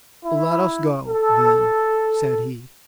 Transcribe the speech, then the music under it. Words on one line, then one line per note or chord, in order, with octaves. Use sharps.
"Let us go, then!" said he.
E4
A4